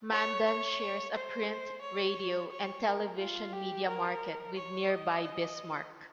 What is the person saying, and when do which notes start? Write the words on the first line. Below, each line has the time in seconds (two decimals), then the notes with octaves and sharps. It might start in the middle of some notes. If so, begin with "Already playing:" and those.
Mandan shares a print, radio, and television media market with nearby Bismarck.
0.11 C#5
0.45 C#5
1.14 C5
1.82 C#5
2.50 C#5
2.84 A#4
3.19 F4
3.53 G4
3.87 A#4
4.56 C#5
4.90 D#5